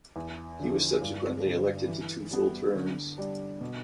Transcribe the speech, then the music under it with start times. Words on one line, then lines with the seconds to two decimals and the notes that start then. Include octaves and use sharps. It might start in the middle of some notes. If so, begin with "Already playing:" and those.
He was subsequently elected to two full terms.
0.16 E2
0.60 D3 F3
1.02 G2
1.45 D3 G3
1.88 E3
2.31 G3 B3
2.75 D3
3.18 G3 D4
3.61 B2